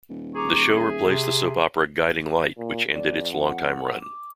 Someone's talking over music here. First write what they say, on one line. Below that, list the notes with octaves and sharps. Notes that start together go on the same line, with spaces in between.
The show replaced the soap opera "Guiding Light", which ended its long-time run.
D#1
G#4 A#5 C#6 D6
G#4 E5
C3
A#2
F2 D5
F#5
D6